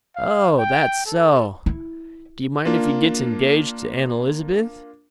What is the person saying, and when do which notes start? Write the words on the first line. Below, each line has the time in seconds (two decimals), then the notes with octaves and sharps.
"Oh--that's so! Do you mind if he gets engaged to Aunt Elizabeth?"
0.16 F5
0.58 G5
1.06 A4
1.66 E4
2.65 A#3 D4 F4